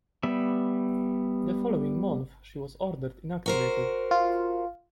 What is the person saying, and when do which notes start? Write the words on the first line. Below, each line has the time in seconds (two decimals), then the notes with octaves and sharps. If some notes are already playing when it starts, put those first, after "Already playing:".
The following month, she was ordered inactivated.
0.23 G3 B3 E5
3.46 F#4 A#4 C5
4.11 F4